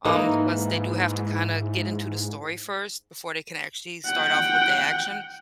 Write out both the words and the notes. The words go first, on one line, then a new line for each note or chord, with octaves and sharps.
um, because they do have to kinda get into the story first before they can actually start off with the action,
G#2 E3 A#3 D#4
F#5 G5